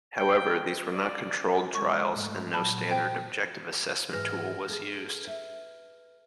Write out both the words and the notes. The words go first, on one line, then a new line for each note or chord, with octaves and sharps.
However these were not controlled trials and no standard objective assessment tool was used.
G5
D5
G#3 C#6
G#2 A3
A#2 F#3 A5 B5
C5 G5
G#2 E3 G#3 B4 F6 A#6
G#4 A4
E5